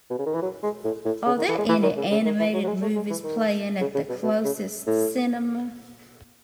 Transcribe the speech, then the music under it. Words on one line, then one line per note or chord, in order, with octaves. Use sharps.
Are there any animated movies playing at the closest cinema?
B2
C#3
D#3
E3
F#3
G#3
A2
A2
C#3
D#3
E3
G#3
E3
D#3
C#3
C#3
D#3
E3
F#3
F#3
G#3
A3
G#3
E3
D#3
C#3
C#3
B2
B2
C#3
A2